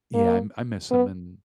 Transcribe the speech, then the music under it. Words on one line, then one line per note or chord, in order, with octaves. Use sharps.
Yeah, I I miss him and
A#3
B3